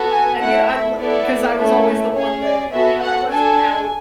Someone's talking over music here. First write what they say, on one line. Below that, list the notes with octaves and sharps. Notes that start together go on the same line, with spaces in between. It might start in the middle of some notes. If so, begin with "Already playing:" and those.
And you know, I l 'cause I was always the one that you know, I wasn't out,
Already playing: B3 F#4 A4
G#5
A3 E4 A4 F#5
E5
B3 E4 A4 D5
A3 C#4 E4 A4
B4
C#4 G#4 C#5
D5
B3 F#4 A4 E5
F#5
D4 A4 G#5